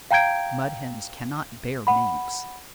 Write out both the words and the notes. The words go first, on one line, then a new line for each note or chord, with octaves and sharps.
Mud Hens cannot bear Minks.
F5 G5 A#5 G6 G#6 D7
F#5 B5